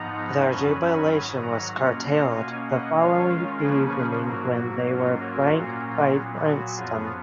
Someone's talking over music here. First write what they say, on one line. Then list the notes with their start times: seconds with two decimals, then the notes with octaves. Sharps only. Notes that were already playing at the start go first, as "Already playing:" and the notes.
Their jubilation was curtailed the following evening when they were blanked by Princeton.
Already playing: G#2 F3 B3 D#4 F#5 A#5
0.48 F#2 D#3 F#3 C#4 G#5 B5
0.79 G#5 B5
1.11 G#2 D#3 F#3
1.42 F#5 A#5
1.73 B2 A#3 C#4 F4
2.05 F#5 A#5
2.36 B2 A#3 C#4 F5 G#5
2.68 D#5 F#5
2.99 D#3 G#3 C#4 F4 C#5 F5
3.62 C#3 F3 A#3 C#4 G#4 B4
4.25 G#2 F#3 A#3 F#4 A#4
4.57 F#4
4.88 G#2 F#3 A#3 C#4 F4
5.19 F#4 A#4
5.51 A#2 F#3 A#3 C#4 F4
6.13 A#2 F#3 B3
6.45 F#4
6.76 F#2 F3 B3 F4 G#4